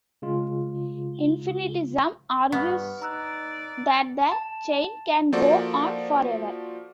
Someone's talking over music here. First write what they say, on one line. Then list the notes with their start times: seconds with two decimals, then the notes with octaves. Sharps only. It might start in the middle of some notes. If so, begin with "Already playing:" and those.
Infinitism argues that the chain can go on forever.
0.22 C#3 G#3 F4
2.52 G2 B3 C#6 F6
3.02 D#4 D5 A#5 E6 F#6
4.32 A5
5.33 F3 A#3 F#4 A4 C5 D5